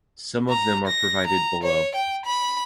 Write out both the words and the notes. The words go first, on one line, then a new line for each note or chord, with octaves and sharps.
Some of them are provided below.
A#5
A#6
A#5
C#5
G5
B5